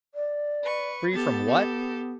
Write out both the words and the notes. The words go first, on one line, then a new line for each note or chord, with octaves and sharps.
Free from what?
D5
B4 C#6
B3 G4 A4 A6
G4 A4